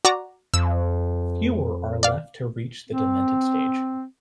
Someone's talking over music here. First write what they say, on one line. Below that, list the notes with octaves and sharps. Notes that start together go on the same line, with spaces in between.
Fewer are left to reach the demented stage.
F#4 D5 A#5
F2 E6
D5 F5
C4